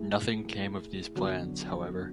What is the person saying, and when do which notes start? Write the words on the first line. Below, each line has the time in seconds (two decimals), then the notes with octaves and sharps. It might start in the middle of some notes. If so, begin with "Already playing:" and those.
Nothing came of these plans, however.
Already playing: A3 E4 G#4
1.15 D3 F#3 B3 D4 F#4